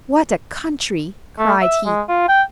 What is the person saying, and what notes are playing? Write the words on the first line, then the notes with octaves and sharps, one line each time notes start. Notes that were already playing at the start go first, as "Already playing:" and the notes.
"What a country!" cried he.
A3
E5
G#3
F4
G5